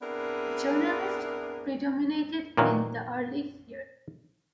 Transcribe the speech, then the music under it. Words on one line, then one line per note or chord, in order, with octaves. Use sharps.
Journalists predominated in the early years.
B3 C4 D4 E4 G#4 A#4
A#2 D#3 E3 F#3 A#3